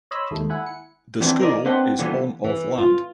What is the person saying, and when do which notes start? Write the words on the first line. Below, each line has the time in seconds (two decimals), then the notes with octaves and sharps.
The school is on of land.
0.11 C#5 D#5 B5 C6 E6
0.31 D#2 G#2 A3
0.49 E4 F#5 G#5 B5
0.66 C#7
1.21 E2 E3 C4 D4
1.40 A#4 C5 D5 D#5
1.65 C4 D4 B4 C5 F#5 G5
1.99 A#2 D3 E3 G3 B3
2.44 E3
2.78 F4